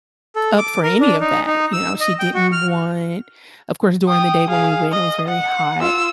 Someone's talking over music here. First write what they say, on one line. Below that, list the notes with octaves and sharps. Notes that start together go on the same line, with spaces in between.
up for any of that, you know, she didn't want of course during the day when we went, it was very hot,
A4
D6
A#4
D4
D#4
D#4
E6
D#5
G5
F#4
F6
G5 D#6
G#4 F5
D#5
F#5
F4 E6